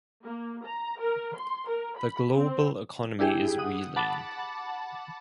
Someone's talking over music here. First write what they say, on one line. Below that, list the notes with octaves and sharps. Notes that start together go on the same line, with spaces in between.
The global economy is reeling.
A#3
A#5
A#4
C6
A#4
B5
C4
D4 E4 G4 G#4 G5
F#5 D#6
F#5 A5 B5 D6 A6